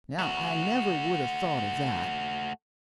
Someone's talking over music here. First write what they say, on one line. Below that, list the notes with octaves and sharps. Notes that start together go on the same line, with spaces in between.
Now I never would 'a' thought of that.
A3 F#4